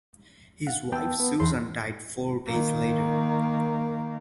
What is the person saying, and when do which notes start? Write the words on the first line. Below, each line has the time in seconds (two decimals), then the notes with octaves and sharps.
His wife Susan died four days later.
0.67 F5 F#5
0.92 E2 B3 G5 A5 E6
1.20 B3
1.40 E2 F#5 C6
2.47 D#3 A#3